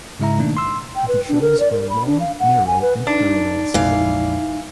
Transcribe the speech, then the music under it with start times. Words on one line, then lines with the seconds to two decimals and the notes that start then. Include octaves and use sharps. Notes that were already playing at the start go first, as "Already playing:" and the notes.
The shells are long, narrow, and parallel-sided.
0.20 G#2 C#3 G#3 E4 E5 A#5
0.38 B2 D#3 A3 A#3 D4 D#4
0.57 C6 E6
0.96 G5
1.08 B4
1.29 D4
1.42 A#4
1.60 D5
1.72 A#4
1.90 B5
2.06 D4
2.20 F5
2.39 F#5
2.67 G#5
2.82 B4
3.07 D4 D#4
3.74 A#1 F2 E3 G#3 F5